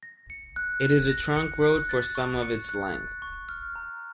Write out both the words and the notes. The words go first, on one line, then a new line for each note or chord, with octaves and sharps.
It is a trunk road for some of its length.
A#6
C#7
F#6
F#6
A#6
C#7
F#6
A6
C#6
C#7
F#6
A6
C#6
F6
A#5